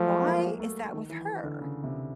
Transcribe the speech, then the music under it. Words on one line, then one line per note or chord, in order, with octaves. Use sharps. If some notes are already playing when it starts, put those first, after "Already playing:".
"Why is that with her?"
Already playing: F3 F#3 A3
G#3
A#3
A3
D#3
E3
D3
C#3
C3